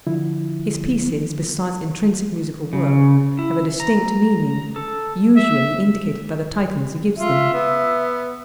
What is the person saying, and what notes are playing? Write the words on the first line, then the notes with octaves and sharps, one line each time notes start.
His pieces, besides intrinsic musical worth, have a distinct meaning, usually indicated by the titles he gives them.
D3 F3 E4
C#3
E4
A#5
A4
E5
F4 E5
B3